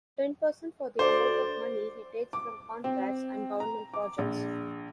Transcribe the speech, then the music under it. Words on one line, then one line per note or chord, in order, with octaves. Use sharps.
Ten Percent for the amount of money he takes from contracts and government projects.
D2 C5 D5
D6
C4
A#5
D6
A#1